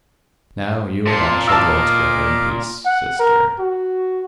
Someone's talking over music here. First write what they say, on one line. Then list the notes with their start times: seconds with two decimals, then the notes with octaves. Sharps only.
Now you and I shall dwell together in peace--sister.
1.07 A#2 A5 C6
1.48 D#5 F5 A5 D6 E6
2.86 F#5
3.20 A#4
3.59 F#4